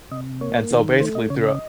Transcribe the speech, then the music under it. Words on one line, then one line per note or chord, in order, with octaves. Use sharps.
And so basically throughou
C3 D#5
A#3 C#5
D#3
A3 C5
D#5
C#3 C#5
D#5